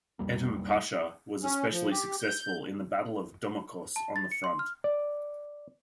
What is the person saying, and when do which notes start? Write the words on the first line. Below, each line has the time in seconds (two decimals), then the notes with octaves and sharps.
Edhem Pasha was especially successful in the Battle of Domokos on the front.
0.19 B1 F2 G3 A#3
1.43 C#4
1.72 F3
1.91 G4
2.20 G6
3.96 A5
4.16 A6
4.31 C#7
4.44 C6
4.59 F6
4.84 D5